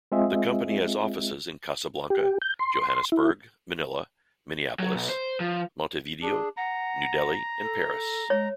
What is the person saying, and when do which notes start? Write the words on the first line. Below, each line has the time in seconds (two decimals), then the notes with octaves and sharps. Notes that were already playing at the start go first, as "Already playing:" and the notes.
The company has offices in Casablanca, Johannesburg, Manila, Minneapolis, Montevideo, New Delhi and Paris.
0.12 G#3 C4 F4 G#4 D#5 E5
2.10 G4
2.42 G6
2.59 C6
3.12 E4
4.79 F#3
4.93 B1
5.09 C5
5.40 F3
6.22 D4 G#4
6.57 F#5 A#5
7.62 A4
8.30 G#3 C#5